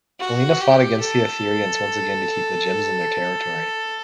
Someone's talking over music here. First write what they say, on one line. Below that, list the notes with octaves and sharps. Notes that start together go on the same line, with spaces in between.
Alena fought against the Etherians once again to keep the gems in their territory.
F#4
G4
A4